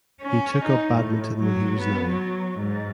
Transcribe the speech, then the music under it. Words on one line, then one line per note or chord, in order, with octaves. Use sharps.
He took up badminton when he was nine.
C#4
D#4
A2
F#3
B3
F#3
G#2